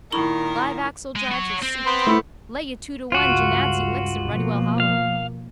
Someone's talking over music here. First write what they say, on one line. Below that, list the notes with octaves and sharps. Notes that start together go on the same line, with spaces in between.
Live axle drives are souped. Lay you two to one Jenatzy licks him ruddy well hollow.
A#2 D#3 E4 A#4 B5 C#6
G#3
F#4 C#5
C4
B3 C5
A3 E4
C#2 G2 F4 F#4
B2 F3 A#3
F5